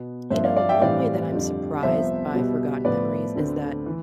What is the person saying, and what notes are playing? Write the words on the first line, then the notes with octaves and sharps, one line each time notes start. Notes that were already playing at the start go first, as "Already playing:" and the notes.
you know, one way that I'm surprised by forgotten memories is that,
Already playing: B2 B3
G2 F3 C4 C5 E5
D5 F5
D5 F5
E5 G5
A2 E3 G3 C4 D5 F5
F2 D3 G3
C2 C3 F3 B3 C5 E5
B2 G3 B3
A2 F3 B3 B4 D5
D2 D3 A3 C4
E3